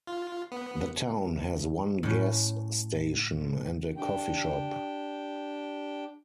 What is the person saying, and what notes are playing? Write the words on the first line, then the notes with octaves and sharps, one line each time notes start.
The town has one gas station, and a coffee shop.
F4
B3
A2 C#4
D4 G4 G5